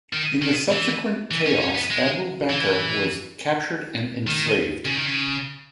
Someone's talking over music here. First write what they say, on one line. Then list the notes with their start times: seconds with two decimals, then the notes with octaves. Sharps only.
In the subsequent chaos Abu Bakr was captured and enslaved.
0.13 D#3
0.42 D#3
0.72 E3
1.31 E3
1.46 C#4
1.61 C#4
1.75 B3
1.90 G#3
2.50 E3
4.27 D#3
4.85 C#3
4.96 D#3
5.06 C#3